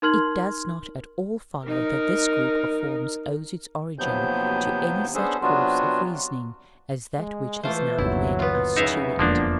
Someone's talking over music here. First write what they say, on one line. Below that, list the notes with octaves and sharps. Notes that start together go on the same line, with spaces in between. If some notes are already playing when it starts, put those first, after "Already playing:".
It does not at all follow that this group of forms owes its origin to any such course of reasoning as that which has now led us to it.
D#4 A#4 C6 F6 G#6 F#7
D#4 A#4
D#2 C3 F3 F#3 B3 G6
B3 C#4 D4 G#4 A4 C5
C3 F#3 B3 D4 F4 F#4
G#3
E3 A3 F4 C5
G1 D#2 F#3 E4
B3 F4
C#3 F#3 B3 D#4 E4 E5 F5
E1 F2 D3 F3 A#3 D4